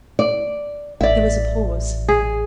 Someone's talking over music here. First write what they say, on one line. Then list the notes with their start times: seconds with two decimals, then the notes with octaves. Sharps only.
There was a pause.
0.19 D5
1.01 A1 D5 E5
2.09 G#4